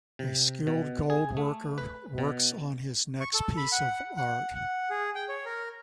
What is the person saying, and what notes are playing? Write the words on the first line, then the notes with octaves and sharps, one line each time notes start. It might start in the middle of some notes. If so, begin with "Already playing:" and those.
A skilled gold worker works on his next piece of art.
C3
B2
G#4
A3
B4
B2
C#6
A4
B5
F#5
F#5
F#5
G#4
G5
C#5
A#4